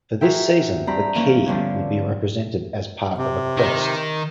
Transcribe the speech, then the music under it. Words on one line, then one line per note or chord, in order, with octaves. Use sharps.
For this season, the "key" would be represented as part of a crest.
F#4 G#4 A#4 C5 E5 G5
G2 C4 A#5 B5 G6
E3 F3 A#3 C#4
G2 D3 F3 G3 B3 C#4
C3
D#3 D#4